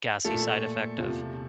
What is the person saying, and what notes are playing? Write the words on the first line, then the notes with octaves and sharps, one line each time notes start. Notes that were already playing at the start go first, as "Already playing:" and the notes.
gassy side effect of
A#2 F3 A3 A4
E2 C3 F3